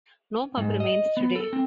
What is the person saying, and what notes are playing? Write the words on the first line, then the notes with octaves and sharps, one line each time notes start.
No pub remains today.
G#2
D#5
B3
A4
C4